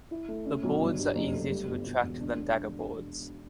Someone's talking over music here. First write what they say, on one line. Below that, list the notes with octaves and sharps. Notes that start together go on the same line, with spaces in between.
The boards are easier to retract than daggerboards.
E4
A3
C#4
B1
G1
G2
F#1
A3
G3
G1
B2
E1
D4